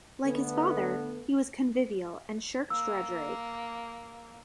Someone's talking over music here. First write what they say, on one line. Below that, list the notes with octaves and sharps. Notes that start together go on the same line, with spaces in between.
Like his father, he was convivial and shirked drudgery.
D3 A3 B3
A#3 E6